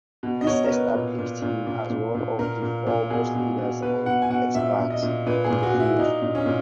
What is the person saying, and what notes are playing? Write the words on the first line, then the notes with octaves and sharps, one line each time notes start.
This established him as one of the foremost leaders and experts in the field.
B2
D#5
B2 C#5
A#4
B2 B4
A#2
A#2
A#2
A#2
A#2
A#2
A#2 A#4
A#2
A#2
B2 G#4
B2
B2
B2 B4
B2 F#5
G#5
B2 F#5
A#2 E5
A#2
D#5
A#2
A#2 B4
G#4
A#2
F#4
A#2
E4
A#2 D#4
A#2
C#4
A#2